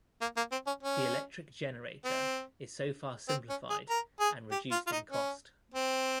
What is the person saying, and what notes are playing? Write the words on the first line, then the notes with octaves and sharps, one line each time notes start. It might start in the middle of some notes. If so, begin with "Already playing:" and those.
The electric generator is so far simplified, and reduced in cost.
A#3
A#3
C4
C#4
C#4
C4
C4
C#4
G#4
A#4
G#4
G4
F4
F4
D#4
C#4
C4